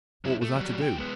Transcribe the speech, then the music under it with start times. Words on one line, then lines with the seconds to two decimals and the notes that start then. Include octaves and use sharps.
What was I to do?
0.25 F#2 E4
0.42 A3
0.56 F#3 G3
0.80 B2 G5
0.98 G#3 B3